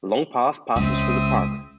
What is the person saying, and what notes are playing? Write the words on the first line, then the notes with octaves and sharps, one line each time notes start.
The Long Path passes through the park.
C#2 C4 E5 D#6